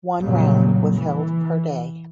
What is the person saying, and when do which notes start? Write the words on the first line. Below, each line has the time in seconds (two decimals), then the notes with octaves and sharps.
One round was held per day.
0.21 F2 A#2 C#3 F#3 G3 A#3
0.98 E3